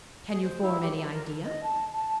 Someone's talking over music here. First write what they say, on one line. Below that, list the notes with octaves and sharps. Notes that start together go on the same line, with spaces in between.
Can you form any idea?
G#4
C5
E4
G4
A4
A#4
A4
D#5
A5
A5